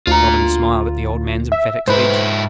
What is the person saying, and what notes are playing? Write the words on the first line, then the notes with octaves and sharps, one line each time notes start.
Robin smiled at the old man's emphatic speech.
D2 F4 A#5
E5
G#2 E4 B4 C5